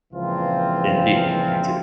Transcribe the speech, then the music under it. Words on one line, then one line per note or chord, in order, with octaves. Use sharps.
Indeed, you too.
C#2 A#2 E3 F3 C4 F4